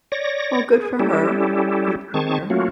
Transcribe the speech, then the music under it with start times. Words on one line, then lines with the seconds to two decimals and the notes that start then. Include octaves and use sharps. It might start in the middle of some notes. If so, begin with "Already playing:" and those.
Well, good for her. Good for her.
0.12 C#5 D5 A#6
0.73 G#4
1.00 G3 C#4 E4 G4 A4
2.14 D#3 C4 G#4 A5 C#6
2.50 F#3 A3 A#3 C#4 F4 F#4